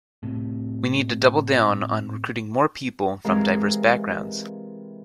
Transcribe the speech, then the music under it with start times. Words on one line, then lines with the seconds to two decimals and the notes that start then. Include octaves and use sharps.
We need to double-down on recruiting more people from diverse backgrounds.
0.23 A2 C3
3.25 C3 E3 G#3 A#4 F5 G#5